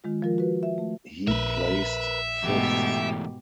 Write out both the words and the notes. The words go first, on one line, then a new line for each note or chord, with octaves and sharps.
He placed fifth.
D#3 G#3 F4
F3 F4 A#4
F#4 B4
E5
A3
A#1 A#4 B4 E5
E2 G#2 B2 A3 G4